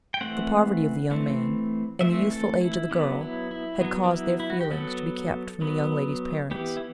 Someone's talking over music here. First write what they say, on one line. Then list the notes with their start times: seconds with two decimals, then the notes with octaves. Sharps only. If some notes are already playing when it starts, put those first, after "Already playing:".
The poverty of the young man, and the youthful age of the girl, had caused their feelings to be kept from the young lady's parents.
0.14 G5
0.21 E3 A3 C4 F#5
1.11 E3 A3 C4
2.01 E3 A3 C4 E5
2.31 A4
2.61 E4
2.91 F#3 B3 D4
3.21 E4
3.51 E4
3.81 F#3 B3
4.04 D4
4.11 E4
4.40 E4
4.50 F#4
4.61 G4
4.71 F#3 B3 A4
5.61 F#3 B3
6.51 E3 B3 G4
6.77 E4